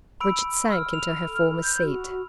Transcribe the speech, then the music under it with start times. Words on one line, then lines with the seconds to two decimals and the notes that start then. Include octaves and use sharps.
Bridget sank into her former seat.
0.21 B5 E6 D7
0.70 E6 F6
0.93 F7
1.26 A4 F6
1.62 G6
1.82 F#4